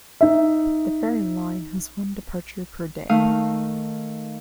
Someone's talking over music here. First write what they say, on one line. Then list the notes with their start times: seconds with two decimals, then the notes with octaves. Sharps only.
The ferry line has one departure per day.
0.21 D#4 E5
3.09 D#3 A3 D#4 F5 D#6